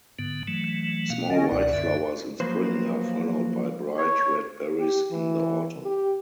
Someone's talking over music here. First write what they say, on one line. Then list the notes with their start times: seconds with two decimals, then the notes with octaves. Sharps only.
Small white flowers in Spring are followed by bright red berries in the Autumn.
0.19 G#2 D3 B3
0.48 E3 F#3 A3
1.10 B2 A#3 F5
1.30 D3 C#4 D#5
1.51 C#2 B2 D5 F#5
1.73 F#2 D3 E5
2.40 F3 F#3 A#3 B4 C5
3.98 C#5
4.80 G4
5.11 E3
5.85 G4